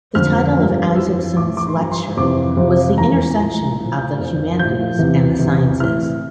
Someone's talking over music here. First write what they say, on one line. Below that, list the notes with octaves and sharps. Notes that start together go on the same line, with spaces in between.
The title of Isaacson's lecture was The Intersection of the Humanities and the Sciences.
F2 D3 F3 F6
G2 F3
F2 E3 E6
A2 E3 D6
D6
C6
G2 F3 A#5
C6
F2 C3 E3 D6
F2 C3 F3
E2 E3 A#5
A2 F3
A2 F3
G6
F2 E3
A2 F3 G6
E2 C3 E3
E2 C3 E3
A2 E3 F6